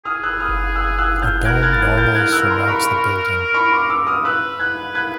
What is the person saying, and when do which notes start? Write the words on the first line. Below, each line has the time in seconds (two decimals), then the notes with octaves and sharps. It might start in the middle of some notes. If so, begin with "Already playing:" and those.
A dome normally surmounts the building.
0.05 G#4 D#6 F6
0.23 E6 F#6
0.40 D#6 F6
0.76 E6 F#6
0.98 E6 F#6
1.22 F6 G6
1.45 A#4 F#6 G#6
1.62 F#6 G#6
1.73 A6
1.81 F#6 G#6
1.98 G6 A6
2.15 F#6 G#6
2.32 E6 F#6
2.50 A#5 C6
2.68 B5 C#6
2.85 B5 C#6
3.54 B5 C#6
3.72 C6 D6
3.90 D6 E6
4.07 D#6 F6
4.25 B4 E6 F#6
4.59 F#6 G#6
4.95 F#6 G#6